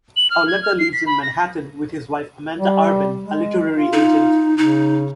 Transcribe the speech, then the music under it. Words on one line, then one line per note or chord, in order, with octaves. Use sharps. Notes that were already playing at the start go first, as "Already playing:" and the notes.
Auletta lives in Manhattan with his wife Amanda Urban, a literary agent.
F#7
F6
G#6
F6
C7
B6
B5
A#6
G3
G#3
F4
D#4
C#3 D#4